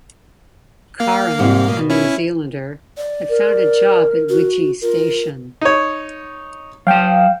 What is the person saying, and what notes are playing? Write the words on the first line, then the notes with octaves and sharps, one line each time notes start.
Carron, a New Zealander, had found a job at Wydgee Station.
A#3 F5
G#2 C3 G3
B2
C#4 E4
D5
A#4
F#4
F4 A#4
D#4 C#5
F#3 F5 G5 A5